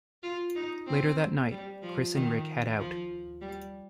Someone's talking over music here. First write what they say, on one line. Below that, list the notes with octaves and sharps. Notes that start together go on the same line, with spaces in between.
Later that night, Chris and Rick head out.
F4
D#4
C4
G3
F3
D#3
F3
G3